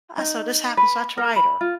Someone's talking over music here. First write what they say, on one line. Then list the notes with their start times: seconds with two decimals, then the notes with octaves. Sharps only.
I so this happened, so I tried her.
0.18 D#4
0.77 B4
1.18 A#4
1.36 B5
1.61 F4